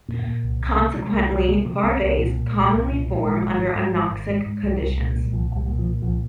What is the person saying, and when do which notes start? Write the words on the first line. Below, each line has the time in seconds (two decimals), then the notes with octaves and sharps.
Consequently, varves commonly form under anoxic conditions.
0.08 A#2
0.26 A#2
0.43 C2
0.60 C2
0.79 C3
0.95 C3 G3
1.03 G#3
1.13 C2 A#3
1.31 C2
1.48 C3 A#3
1.66 C3
1.83 C2 C4
2.00 C2
2.18 A#2
2.35 A#2
2.53 C2
2.70 C2
2.87 A#2
3.05 A#2
3.23 G#1 G#3
3.40 G#1
3.58 G#2
3.75 G#2
3.92 G#1
4.11 G#1
4.28 G#2
4.46 G#2
4.63 C2 G3
4.81 C2
4.98 A#2
5.15 A#2
5.26 G3
5.33 C2 F3
5.50 C2
5.56 G3
5.68 A#2
5.79 F3
5.85 A#2
6.02 C2 F3